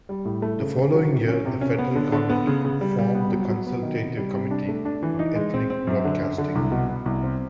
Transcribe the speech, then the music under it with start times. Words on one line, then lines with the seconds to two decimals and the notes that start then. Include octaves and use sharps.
The following year, the Federal Government formed the Consultative Committee on Ethnic Broadcasting.
0.09 G3
0.25 A2
0.42 A3
0.59 C#3
0.77 C#3
0.94 F#3
1.10 C3
1.28 C#4
1.45 C3
1.61 C#4
1.78 B3
1.95 D3
2.12 D3
2.30 B3
2.47 C#3
2.65 C#3
2.81 G3
2.99 G3
3.15 B3
3.32 F#3
3.49 F#3
3.67 B3
3.82 D#3
4.00 C3
4.17 G3
4.33 C3
4.51 D4
4.68 A3
4.85 D4
5.03 E3
5.19 D#4
5.36 G#3
5.54 C4
5.70 C4
5.87 F#2
6.05 D3
6.21 F#2
6.38 D3
6.55 C2
6.72 B2
6.89 B3
7.06 C2
7.23 C4